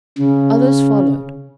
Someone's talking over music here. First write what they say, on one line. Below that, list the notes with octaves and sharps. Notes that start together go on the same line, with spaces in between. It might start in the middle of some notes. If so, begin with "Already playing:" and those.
Others followed.
C#3